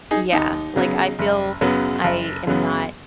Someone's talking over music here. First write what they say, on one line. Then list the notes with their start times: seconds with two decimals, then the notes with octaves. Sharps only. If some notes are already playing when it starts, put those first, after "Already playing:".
Yeah, like, I feel I am not
0.11 D#4 G#4
0.32 D#2 D#4
0.76 C#3 F#3 B3
1.19 F#1
1.61 F#2 C#3 F#3 B3
2.04 F#1
2.47 F#2 C#3 F#3 B3